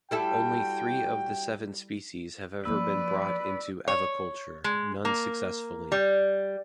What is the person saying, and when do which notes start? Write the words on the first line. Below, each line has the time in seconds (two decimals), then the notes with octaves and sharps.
Only three of the seven species have ever been brought into aviculture, none successfully.
0.11 G3 E4 F#4 A4 G5
2.65 F3 A#3 B4 D5 E6
3.88 C#5
4.64 G#3
5.05 A#3
5.92 G3